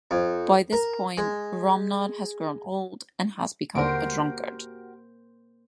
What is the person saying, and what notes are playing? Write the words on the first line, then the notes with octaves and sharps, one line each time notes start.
By this point, Romnod has grown old and has become a drunkard.
F2
A#4
G#3
D#2 D3 A#3 F#4 G4 A#4 C5 D7